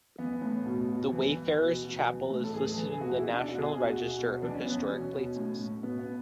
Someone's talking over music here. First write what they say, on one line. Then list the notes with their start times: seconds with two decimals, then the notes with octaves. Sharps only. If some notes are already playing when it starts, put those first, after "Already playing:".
The Wayfarers Chapel is listed in the National Register of Historic Places.
0.18 E3 B3
0.42 A2
0.66 B2
0.89 B2
1.12 E3
1.36 E3
1.60 B2
1.83 B2
2.07 E3
2.30 A2
2.44 A4
2.54 E3 G#4
2.66 G#4
2.77 E3 A4
2.90 G#4
3.01 B2 F#4
3.17 E4
3.25 B2
3.32 D4
3.48 B2 F#4
3.60 G#4
3.71 B2 G#4
3.83 F#4
3.95 B2
4.19 B2
4.42 E3 D4
4.54 C#4
4.66 E3 B3
4.78 C#4
4.90 B2
5.13 B2
5.36 A2
5.60 A2
5.83 B2 B3
5.99 B3